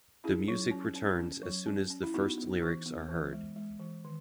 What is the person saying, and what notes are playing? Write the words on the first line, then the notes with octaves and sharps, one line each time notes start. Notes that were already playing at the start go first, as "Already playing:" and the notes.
The music returns as soon as the first lyrics are heard.
C#4 E4 G#4
F#3
C#4
C#4
C#4
F#3
C#4
C#4
E4
B3 D#4 F#4
B3
E3
B3
E3
G#3
G#3
E3
D#3